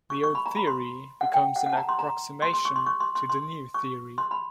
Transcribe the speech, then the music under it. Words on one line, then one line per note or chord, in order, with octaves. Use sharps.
The old theory becomes an approximation to the new theory.
C#6
C#6
B5
A#5
B5
C6
F#5
G5
F#5
F#5
A5
A#5
C6
A#5
C6
C6
C#6
C6
C#6
C6
C6
C6
C#6
C6
B5